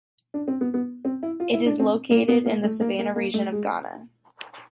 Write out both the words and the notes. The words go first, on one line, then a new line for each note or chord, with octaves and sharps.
It is located in the Savannah region of Ghana.
D4
C4
B3
B3
C4
E4
F4
E4
D4
C4
A#3
B3
A#3
A3
A#3
A#3
A#3
A3
G#3